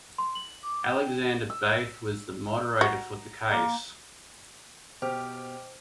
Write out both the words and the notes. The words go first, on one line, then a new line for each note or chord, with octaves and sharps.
Alexander Beith was the moderator for the case.
C6
F#7
D6
G5 G6
E6
F#4 A#5
A#3
B2 G4 C5 G5 D6 F6